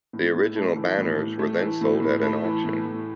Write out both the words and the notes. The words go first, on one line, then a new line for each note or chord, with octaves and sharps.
The original banners were then sold at an auction.
A2
A2
A3
E3
A2
A2
A3
E3
A2
A2
A3
E3
A2
A2